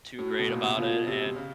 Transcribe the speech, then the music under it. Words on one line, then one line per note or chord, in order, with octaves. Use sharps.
too great about it, and
A2 F#4
B2
A#2
C3
B2 F4
C3 G4
C3
C#3